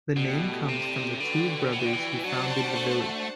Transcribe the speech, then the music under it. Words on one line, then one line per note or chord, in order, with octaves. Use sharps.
The name comes from the two brothers who founded the village.
B2 A3 E4 G4 D5 A5
C3
D3 F#4 B4 D5 G5
F#3
E3
D3
E3
F#3 D4 F#4 C5 F#5 A5
G3
A3